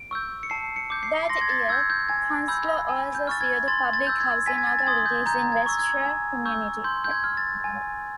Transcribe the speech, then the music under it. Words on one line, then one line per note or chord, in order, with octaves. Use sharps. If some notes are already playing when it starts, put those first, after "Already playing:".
That year Kunstler also sued public housing authorities in Westchester County.
Already playing: D7
C#6 E6 G6
C#7
A5 C7
C#7
D6 G6
C7
C6 A#6
G#6
A6
E6 G6 G#6
G6
G#5 G#6
B5 E6 G6
G#5
G6
C#6 F6 A6
G#6
C6 A6
A6
E6 G6
G#6
G#5 B6
G#6
A6
A6
C6 D#6 G#6
G6
A#5 G6
G#6
C#6 E6
G#6
G#5
C#6 E6 G6
C6 G6
G6
G#6
F6
A6
G#5